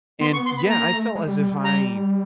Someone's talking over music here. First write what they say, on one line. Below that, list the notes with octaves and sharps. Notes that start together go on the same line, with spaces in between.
And, yeah, I felt as if I
B3 C6
C#6
C6
B3 B5
A#3 A#5
A3
G#3
G3
G3
G3
A#5